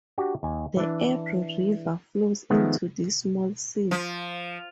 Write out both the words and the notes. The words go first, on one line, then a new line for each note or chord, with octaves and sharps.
The Ebro River flows into this small sea.
D4 F#4 G4
D#2 G#5
E3 D4
D#3 F3 G#3 A3 B3 F4
F3